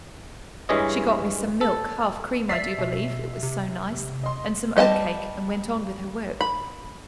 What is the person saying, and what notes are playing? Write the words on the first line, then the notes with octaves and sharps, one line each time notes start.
She got me some milk--half cream I do believe, it was so nice--and some oatcake, and went on with her work.
G2 E3 G#3 C#5 D#5
A4
D5 E5 B6 C7
B2
C3
D#5 C6
G3 D#5 G5 A5
B5